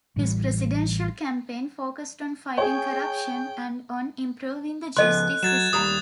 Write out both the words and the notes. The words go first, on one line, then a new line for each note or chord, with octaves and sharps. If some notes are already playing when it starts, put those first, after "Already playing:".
His presidential campaign focused on fighting corruption and on improving the justice system.
A1 A2 E3 G3
G#4 C#5 G5
C#2 F3 B3 A4 D#5 C6 F#6
F#3 G#6 A6 E7
D#2 G3 A#5 D#6